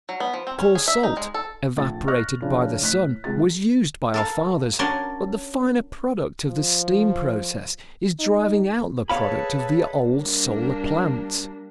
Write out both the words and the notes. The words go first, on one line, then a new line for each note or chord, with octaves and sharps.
Coarse salt, evaporated by the sun, was used by our fathers, but the finer product of the steam process is driving out the product of the old solar plants.
F#3
B3
F3
C4
C#4
G#4
E5
D#4
G#3
A4
A#1 A3 A6
C#6 F6 F#6 A#6
C#3 F3 D4
A2 F#6 B6
C#2 C3 G#4 A6
A4 A#4 F5
F#3 C#4 D4 A#4 D5 C6
F3
D#4
G#4 A4 B4 C#5 F5 B5
G3 A#3 D4